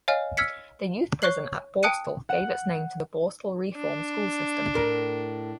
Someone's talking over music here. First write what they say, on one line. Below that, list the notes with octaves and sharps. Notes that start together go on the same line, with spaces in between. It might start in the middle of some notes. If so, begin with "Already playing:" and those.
The youth prison at Borstal gave its name to the Borstal reform school system.
C#5 D#5 F5 G#5 F6
E6 F6 G#6 B6 C#7
C#5 C#6 F#6 C7 F#7
G5 A5 D#6 F#6 C#7 D#7
F#5
D4
A2 A#4